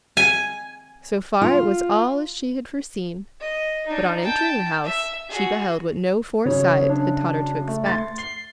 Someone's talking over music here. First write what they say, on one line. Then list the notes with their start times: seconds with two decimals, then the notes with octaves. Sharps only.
So far it was all as she had foreseen; but on entering the house she beheld what no foresight had taught her to expect.
0.17 G#5
1.42 F4
3.40 D#5
3.87 D4 D#4
4.22 G5 A5
4.84 E5
5.29 F#4 G#4
6.45 F#2 C#3 C#5
6.90 D4
7.68 A3
7.86 C6 A6
8.18 C7 G7